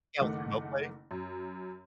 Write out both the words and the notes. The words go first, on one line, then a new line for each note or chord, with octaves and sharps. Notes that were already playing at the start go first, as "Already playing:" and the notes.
Yeah, with Remote Play?
F#1 D#3 A3 F#5 D6
F#2